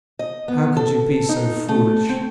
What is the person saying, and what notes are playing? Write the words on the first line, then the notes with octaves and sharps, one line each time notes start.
"How could you be so foolish?"
D#5
B3
A4
D#4
A3
C4